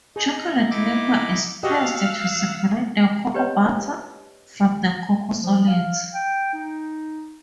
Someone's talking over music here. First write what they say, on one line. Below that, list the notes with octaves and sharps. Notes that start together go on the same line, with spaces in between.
Chocolate liquor is pressed to separate the cocoa butter from the cocoa solids.
D#4 G#4
D#4 E4 D6
F#4 G4 D#5 F5 F#5 E6
G4 B4 C#5 D#5
F3
F5
G5
D#4